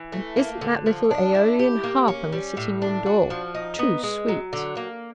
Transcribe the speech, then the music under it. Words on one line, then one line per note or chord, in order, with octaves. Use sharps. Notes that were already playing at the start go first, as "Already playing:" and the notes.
"And isn't that little Aeolian harp on the sitting room door too sweet!"
Already playing: E3
A3
A#3
D3
F3
D4
E4
G4
A#3
C#4
G3
A2
D4
F#4
F3
D#4
B3
G#3
F#3
D3
A#3